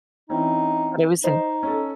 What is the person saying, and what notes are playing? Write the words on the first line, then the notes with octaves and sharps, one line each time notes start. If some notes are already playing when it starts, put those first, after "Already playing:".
But it was in
E3 C4 C#4 D#4
D#4 C5 D#5
C#4 A4